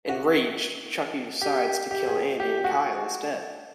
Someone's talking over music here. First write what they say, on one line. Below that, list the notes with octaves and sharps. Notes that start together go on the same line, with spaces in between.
Enraged, Chucky decides to kill Andy and Kyle instead.
F#4
G4
G4
G#4
G4
F#4